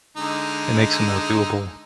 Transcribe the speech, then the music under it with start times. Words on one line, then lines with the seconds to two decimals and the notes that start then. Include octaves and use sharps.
It makes it more doable.
0.17 D3 G#3 D#4